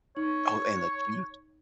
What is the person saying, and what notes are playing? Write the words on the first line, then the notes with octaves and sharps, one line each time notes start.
Oh, and the cheese.
D#4 C#5